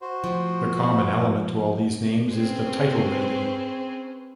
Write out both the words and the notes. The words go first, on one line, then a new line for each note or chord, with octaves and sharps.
The common element to all these names is the title Lady.
F#4 C5
A2 F3
C4 C#4 G#4 B4 C5